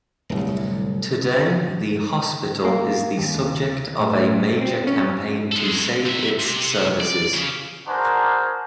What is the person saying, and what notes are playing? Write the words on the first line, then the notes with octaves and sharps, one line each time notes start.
Today the hospital is the subject of a major campaign to save its services.
D1 C2
A#3
D#2
A2
C4
C#4
G#3 A4
G#2 E5
C3
D5
C#3
D4 F#4 G#4 A#4 C5